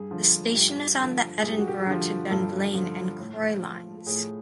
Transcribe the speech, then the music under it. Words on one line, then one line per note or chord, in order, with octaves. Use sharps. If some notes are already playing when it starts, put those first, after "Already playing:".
The station is on the Edinburgh to Dunblane and Croy Lines.
Already playing: G2 G#4
D3 F3
G2 G4
D3 F3
G2 G#4
G4
F#4
G4
D3 F3
G2 A4
D3 F3
A2
F3
A2 G#4